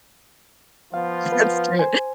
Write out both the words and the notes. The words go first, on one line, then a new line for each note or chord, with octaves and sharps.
that's true.
F3 B3 F4 F5
B4
C5 G#5